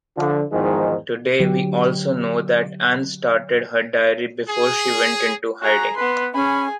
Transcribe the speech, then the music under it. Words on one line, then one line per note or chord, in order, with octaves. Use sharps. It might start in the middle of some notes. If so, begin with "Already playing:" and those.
Today we also know that Anne started her diary before she went into hiding.
D3 F3
E2 G#2 D#3 F3 G#3
D3 F#3 G4
G#4
F#4 G#4 A#5
B3 B4 C6
C#4 G#4 G#5 B5